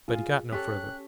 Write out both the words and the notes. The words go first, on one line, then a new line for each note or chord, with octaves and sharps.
But he got no further.
F4 G#4 F5
C#4 G4 A4 F#6 B6